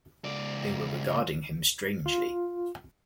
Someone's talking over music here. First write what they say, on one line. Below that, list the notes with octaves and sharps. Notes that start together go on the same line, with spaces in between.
They were regarding him strangely.
C#2 D5
F4